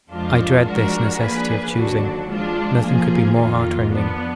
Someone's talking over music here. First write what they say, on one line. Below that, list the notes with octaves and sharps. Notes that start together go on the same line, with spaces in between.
I dread this necessity of choosing--nothing could be more heartrending.
F2 F3 G#3 D4 F4
F3 G#3 D4 F#4 A#4
F3 A#3 D4 G#4 B4
D#2 D3 F#3 D4 F#4
F3 G#3 D4 F4
F3 A#3 F4 G#4
F2 D#3 A#3 F4
F3 B3 D4